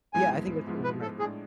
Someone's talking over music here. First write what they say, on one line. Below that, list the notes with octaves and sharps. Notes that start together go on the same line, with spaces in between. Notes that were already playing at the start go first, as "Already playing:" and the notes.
Yeah, I think that's totally right.
G#2 F3 G#3 B3 E4 G#5
G#2 F3 G#3 B3 E4
B4
A4
A2 G#3 D4 G#4